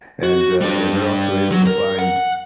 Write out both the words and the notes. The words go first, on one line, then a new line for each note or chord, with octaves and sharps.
and, uh and they're also able to find
F#4
G3 D4
F#3
A#4
F#5